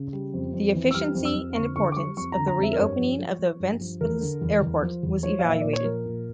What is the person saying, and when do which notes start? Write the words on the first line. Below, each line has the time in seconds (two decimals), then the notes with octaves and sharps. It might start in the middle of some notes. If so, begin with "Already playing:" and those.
The efficiency and importance of the re-opening of the Ventspils Airport was evaluated.
Already playing: C#3
0.13 G3
0.34 F2
0.54 F2
0.74 E3
0.91 E6
0.94 G3 F6
1.15 F2
1.25 E6
1.35 F2
1.55 D3 C#6
1.76 D3 C#6
1.92 D6
1.96 G3 C#6
2.17 F2 C#6
2.32 D3 A#5
2.48 A#5
2.58 F2
2.63 E5
2.73 A#4
2.78 G2 C#5
2.98 F3
3.19 F3
3.39 F3
3.60 G2
3.81 F3
4.01 E2 A#4
4.21 D3
4.42 E2
4.63 E2
4.82 F3
5.03 E2
5.23 F3 C#5
5.39 F5
5.44 A#2
5.50 E5
5.61 A#2 D5
5.73 C#5
5.85 F3 A#4
6.06 A#2